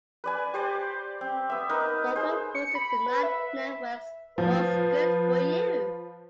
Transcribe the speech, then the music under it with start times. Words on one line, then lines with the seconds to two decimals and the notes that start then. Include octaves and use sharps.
Thornton hosted the Nine Network's "What's Good For You".
0.24 B4 D5 G#5
0.54 G4 C5 D5
1.21 C4
1.50 B3 E5
1.69 D#4 A#4 B4
2.16 G#4 C5
2.55 C#7
2.75 B5
3.06 B4
3.23 E5
4.38 F3 B4